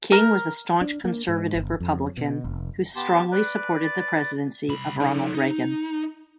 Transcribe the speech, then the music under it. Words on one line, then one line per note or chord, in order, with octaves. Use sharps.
King was a staunch conservative Republican who strongly supported the presidency of Ronald Reagan.
A#4
D4
A#3
G#2
G1
F2
B2
F1
B3 G4 A5 C6
B4 D5 F#6
A6
C2 B5
D#4 A4
D#4